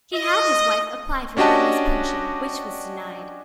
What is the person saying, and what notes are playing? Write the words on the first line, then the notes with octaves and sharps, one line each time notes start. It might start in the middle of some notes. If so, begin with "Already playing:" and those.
He had his wife apply for widow's pension, which was denied.
D#5
C#4 D4 F#4 G4 D#5 A5